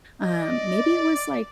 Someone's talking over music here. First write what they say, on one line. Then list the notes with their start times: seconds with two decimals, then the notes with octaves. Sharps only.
Um, maybe it was, like,
0.21 D5 D#5